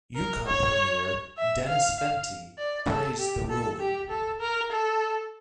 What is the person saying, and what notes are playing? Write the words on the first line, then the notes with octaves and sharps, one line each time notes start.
Yukon premier Dennis Fentie praised the ruling.
A#4
C#5
E5
F5
F5
D5
A4
G4
A4
G4
A4
A#4
A4